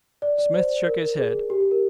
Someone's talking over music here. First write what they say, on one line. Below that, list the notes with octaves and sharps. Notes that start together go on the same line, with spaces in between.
Smith shook his head.
D5
D5
C5
A#4
A#4
G#4
G4
G4
A#4